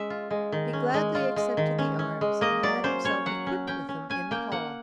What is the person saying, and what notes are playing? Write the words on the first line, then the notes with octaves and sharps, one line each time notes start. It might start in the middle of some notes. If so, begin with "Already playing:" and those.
He gladly accepted the arms and had himself equipped with them in the hall.
Already playing: G#3 C#4 E5
F4
G#3
D#3
C#4
G#3
F4
G#3
D#3
C#4
C#4
G#3
A#3 D#5
F#3 D5
C#4 C5
C#4 C#5
F#3 F#5
C#4
C#4 G5
C#4
C#4 G#5
A#3 G5
A#3 F#5